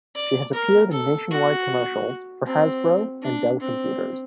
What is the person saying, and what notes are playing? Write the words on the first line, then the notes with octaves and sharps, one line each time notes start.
She has appeared in nationwide commercials for Hasbro and Dell Computers.
D5
A#4
A4
F#4
C4
D4
C4